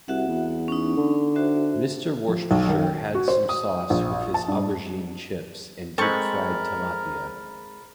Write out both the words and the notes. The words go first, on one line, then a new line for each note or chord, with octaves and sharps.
Mr. Worcestershire had some sauce with his aubergine chips and deep fried talapia.
C2 F#4 E5 F#5
E2
C#4 D#4
D3
F#4 C5 E5
F3
B1
D#3
G5
F#4
C5
D#6
A#1
A5
G2
G#3 C4 A4 A#4 B5 C#6 A6